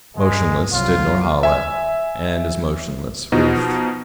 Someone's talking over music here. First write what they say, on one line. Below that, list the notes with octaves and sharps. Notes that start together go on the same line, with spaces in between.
Motionless stood Norhala; and as motionless Ruth.
G2 G#3
C2 F#3 F4
E5 G#5
B2 F3 D#4